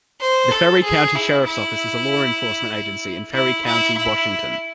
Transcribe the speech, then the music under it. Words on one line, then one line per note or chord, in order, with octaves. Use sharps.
The Ferry County Sheriff's Office is a law enforcement agency in Ferry County, Washington.
C5
A4
G#4
E4
E4
E4
E4
E4